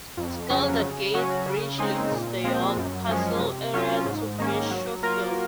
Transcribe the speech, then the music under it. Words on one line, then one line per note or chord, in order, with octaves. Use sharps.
Skeldergate Bridge links the York Castle area to Bishophill.
F2
C#3 F#3 C#4
C#3
F#3 C#4 F#4
C#3
G#3 C4 D#4
A#2
F3 G#3 C4
F#2
F3 G#3 C#4
C3
F#3 C#4 F4
G#2
D#3 A#3 C#4
F#3
A#3 F4 A#4